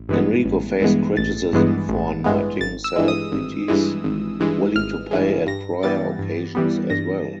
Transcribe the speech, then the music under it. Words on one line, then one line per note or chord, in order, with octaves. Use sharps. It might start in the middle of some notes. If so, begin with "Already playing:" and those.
Enrico faced criticism for knighting celebrities willing to pay at prior occasions as well.
Already playing: A1
G2 E3 G#3 B3
A1
G2 E3 G#3 B3
A1 A6
G2 E3 G#3 B3
A1
G2 E3 G#3 B3
G#1 A6
E6
G2 E3 G#3
D#6
G#1
G2 E3 G#3
G#1
G2 E3 G#3
G#1 F6
G2 E3 G#3
G2 A#6
E3 G3 B3 A6
G2
E3 G3 B3
G2 A#6